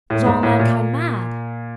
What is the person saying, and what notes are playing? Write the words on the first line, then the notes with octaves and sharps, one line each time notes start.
Was all mankind mad!
A2
G#2
A2
A#2